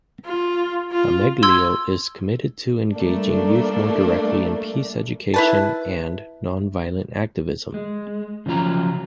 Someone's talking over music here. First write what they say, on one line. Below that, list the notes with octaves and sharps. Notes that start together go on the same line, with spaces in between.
Ameglio is committed to engaging youth more directly in peace education and nonviolent activism.
F4
F4
C6 E6 G#6
G3 A3 A#3 D4
E4 B4 A5
G#3
C#3 F3 F#3 F4 A#5